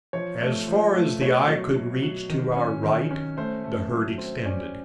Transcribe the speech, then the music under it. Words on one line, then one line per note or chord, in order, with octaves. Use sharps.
As far as the eye could reach to our right, the herd extended.
F3 C#5
A3
F3
A3
B2 C#5
F#3
B2
F#3
D#3
C#4
D#3
C#4
A3 C5
A3
F#3
C4
C#4 D5